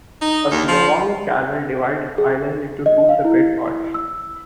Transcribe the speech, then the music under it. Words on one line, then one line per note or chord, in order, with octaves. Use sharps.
A small canal divides the island into two separate parts.
D#4
D#2
F3
G#4
D#5
F5
E4
E6